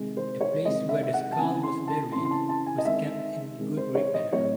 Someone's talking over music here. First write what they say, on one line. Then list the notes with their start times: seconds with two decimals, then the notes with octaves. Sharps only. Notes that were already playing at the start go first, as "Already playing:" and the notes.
The place where the skull was buried was kept in good repair.
Already playing: C3 D#3 G#3
0.17 C5
0.41 C#5
0.65 C3 D#3 G#3 D#5
0.89 E5
1.03 E5
1.13 F#5
1.32 A5
1.39 C#3 E3 C4 G#5
1.63 C6
1.88 A5
2.12 C#3 E3 C4 C6
2.25 C6
2.31 A5
2.49 A5
2.66 G#5
2.78 D#5
2.85 D#3 G#3 C4 E5
3.58 D#3 G#3 C4
3.77 C5
3.95 C#5
4.14 D#5
4.32 A2 F#3 C4 C#5